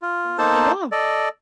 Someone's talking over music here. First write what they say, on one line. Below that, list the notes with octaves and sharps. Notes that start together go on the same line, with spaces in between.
Uh, yeah.
F4
A#3 D#4 A4 C5 A5
A4 D5 D#5